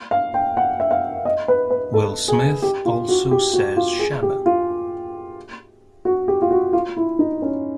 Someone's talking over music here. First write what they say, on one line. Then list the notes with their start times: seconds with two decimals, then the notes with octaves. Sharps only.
Will Smith also says Shabba!
0.11 F5
0.34 G5
0.57 F#5
0.80 E5
0.91 F5
1.25 D#5
1.48 B4
1.71 B4
1.94 A4
2.28 G#4
2.62 G4
2.85 F4
3.09 F#4
3.31 G4
3.53 F#4
3.76 F4
3.99 G#4
4.23 G4
4.46 F4
6.05 F#4
6.28 G4
6.42 F4
6.51 F#4
6.73 F4
6.97 E4
7.19 D#4
7.42 C#4